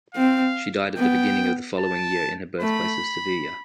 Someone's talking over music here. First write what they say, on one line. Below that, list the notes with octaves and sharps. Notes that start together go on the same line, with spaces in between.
She died at the beginning of the following year in her birthplace of Sevilla.
C4 F5
B3 G5
A5
A3 B5